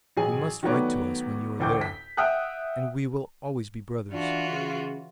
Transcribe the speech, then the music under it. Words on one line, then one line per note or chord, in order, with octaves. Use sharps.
You must write to us when you are there, and we will always be brothers....
A1 F#3 G#4 G#5
D#3 F#3 A3 B3 C#5 D5
A1 D2 A2 D6 G6
B6
E5 F#5 G5 D#6 F6 F#6
E3 D4 F4 F#4
C#3